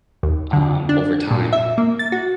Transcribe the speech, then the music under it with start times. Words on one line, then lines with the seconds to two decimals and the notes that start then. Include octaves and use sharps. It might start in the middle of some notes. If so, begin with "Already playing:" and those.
um, over time,
0.23 D#2
0.53 D3
0.89 D4
1.31 A#2
1.53 E5
1.78 A#3
1.99 A6
2.12 F#4